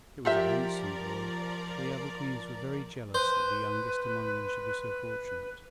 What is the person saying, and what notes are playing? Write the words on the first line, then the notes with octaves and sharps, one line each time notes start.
It was a handsome boy, but the other Queens were very jealous that the youngest among them should be so fortunate.
F3 F4 G4 A#4 D5 E5
B4 C5